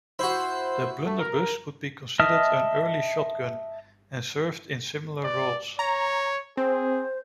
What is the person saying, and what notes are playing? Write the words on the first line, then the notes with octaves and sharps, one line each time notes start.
The blunderbuss could be considered an early shotgun, and served in similar roles.
E4 F#4 C5
A3
A#4
D#5 E5 A5 D#6 F6
D5
C#5 A#5
C4 G#4 C5